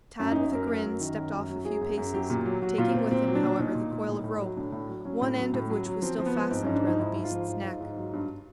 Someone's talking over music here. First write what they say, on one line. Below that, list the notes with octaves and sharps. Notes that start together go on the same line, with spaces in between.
Tad, with a grin, stepped off a few paces, taking with him, however, the coil of rope, one end of which was still fastened around the beast's neck.
F#2 C#4
F#2 D#4
F#2 A#4
F#3 A#4
F#2
D#3
F#2
F#2
F#3
F#2 G#4
F#2
F#2
F#3 G4
A#2
F#3
F#3 F#4
A#2 F4
A#2 C4
A#2 C4
F#3
D4
A#2
A#2 D#4
A#2
A#2
A2
A2
F#3
A2 D4
A2
F#3
F#3 C#4
A2
F#3
A2
F#3
F#3
F3 C4
F3
B3
F3
G#2 C4
G#2 C#4
D4
F3 D#4
G#2 E4
G#2
F4
F3
G#2
G#2
G#2
F#3
G2